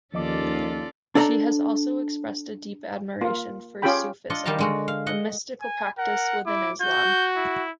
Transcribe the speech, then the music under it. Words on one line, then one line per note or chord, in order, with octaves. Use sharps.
She has also expressed a deep admiration for Sufism, a mystical practice within Islam.
D#2 F3 C#4 F4 A4 D5 D#5 D6
D4 A4 D5 A#5
A#3 F4
C#4 F4 G4 G#4 G5 B5
D4 F4 D#5 F#5
D#3 G3 F5 A5 A#5
D3 G#3 F#4
F5
D#5 F#5
G#5
A#4 F#5
E4 D6
F#4 G6
E4